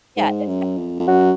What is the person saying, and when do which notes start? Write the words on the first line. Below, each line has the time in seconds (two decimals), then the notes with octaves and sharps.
yeah, it's kinda like that
0.17 G#2
0.48 F#2
0.78 F2
1.00 F2
1.08 F#2 F#4